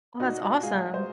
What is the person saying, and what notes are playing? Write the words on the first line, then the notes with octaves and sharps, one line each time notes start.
Well, that's awesome.
A#2 D#4 F#4
A#2
G#3 F4 G#4
G#3
C5